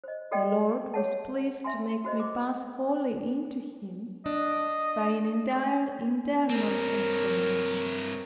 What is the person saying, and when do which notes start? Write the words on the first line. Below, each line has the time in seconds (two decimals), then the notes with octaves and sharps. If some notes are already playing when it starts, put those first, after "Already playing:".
The Lord was pleased to make me pass wholly into Him by an entire internal transformation.
0.04 C5 D#5
0.31 F#4 G4 A4 D5 D#5 G5
0.94 G#4 C#5 F#5 A5
1.64 E5 G#5 C6
2.05 F#4 C5 D#5
2.20 D6
4.26 D4 D#5
6.50 G2 C4 A#4 C#5